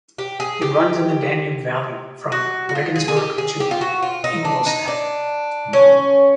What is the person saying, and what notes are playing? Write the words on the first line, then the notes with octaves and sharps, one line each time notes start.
It runs in the Danube valley from Regensburg to Ingolstadt.
G4
G#4
G4
F#4
F#4
F4
G#4
G#4
G4
G#4
G4
F4
F#4
F4
D#4
D4
D#4
D4
C#4